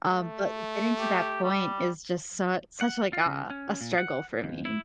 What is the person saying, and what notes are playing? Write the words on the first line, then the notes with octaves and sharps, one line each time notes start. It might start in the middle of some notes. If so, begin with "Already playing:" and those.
um, but getting to that point is just su such like a a struggle for me.
A3
G4
G3
F#5
F4
C#3
C#4
A#2
F#5
D#2
E4